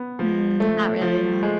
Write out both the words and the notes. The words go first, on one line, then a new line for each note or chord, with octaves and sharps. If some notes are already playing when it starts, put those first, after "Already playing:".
Mm, not really, yeah.
Already playing: B3
F3
A3
F3
G#3